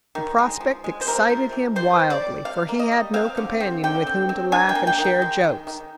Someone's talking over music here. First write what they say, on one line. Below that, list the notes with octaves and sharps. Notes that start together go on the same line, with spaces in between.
The prospect excited him wildly, for he had no companion with whom to laugh and share jokes.
D#3
G#3
F3
G#3
C5
C3 A#4
F3
C3
G3 C5
C4
D5
G3
C3 F5
A#3
D#5
G3
C4 F5
D3
C4
D3 G5
C4
C4
D4 G#5
G5
A#3
G5
D#3
G5
G#3
D#3
D#3